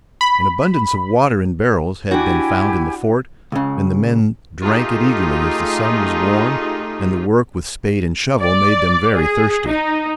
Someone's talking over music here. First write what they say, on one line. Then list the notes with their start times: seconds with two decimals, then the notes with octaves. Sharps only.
An abundance of water in barrels had been found in the fort and the men drank it eagerly as the sun was warm and the work with spade and shovel made them very thirsty.
0.21 B5
2.11 D4 E4 F#4 G4 G#5
3.52 C#2 C#3
4.63 A3 D#4 F4 G4 G#4
8.40 D5
9.16 G#4
9.67 D#4